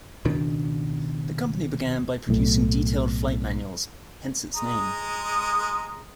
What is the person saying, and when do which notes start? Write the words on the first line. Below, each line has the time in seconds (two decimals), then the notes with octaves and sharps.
The company began by producing detailed flight manuals, hence its name.
0.25 C#2 B2 D#3 D4
2.29 B1 A2
4.56 G#3 A#5 D#6